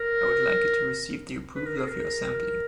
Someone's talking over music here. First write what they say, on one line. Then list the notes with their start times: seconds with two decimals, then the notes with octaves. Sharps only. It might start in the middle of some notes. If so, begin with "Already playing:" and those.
I would like it to receive the approval of your assembly.
Already playing: A#4
1.55 B4
1.66 A#4
1.77 G#4
1.89 A#4